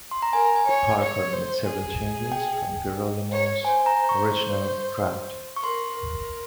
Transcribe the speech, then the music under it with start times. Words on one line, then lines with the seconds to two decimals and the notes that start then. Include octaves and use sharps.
Parker made several changes from Gerolmo's original draft.
0.11 C6
0.22 A#5
0.33 A#4 G#5
0.56 G#5
0.67 C#5
1.00 C#5
1.33 C5
1.66 G#4
2.32 G5
3.32 C#5
3.65 C5 G#5
3.86 A#5
4.09 C#6
5.56 C#6
5.63 A#4 C6
5.96 A#4